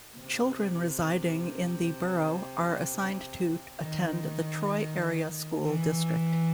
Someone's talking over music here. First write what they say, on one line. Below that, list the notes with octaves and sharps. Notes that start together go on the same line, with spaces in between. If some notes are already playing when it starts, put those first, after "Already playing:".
Children residing in the borough are assigned to attend the Troy Area School District.
C3
D#3
E3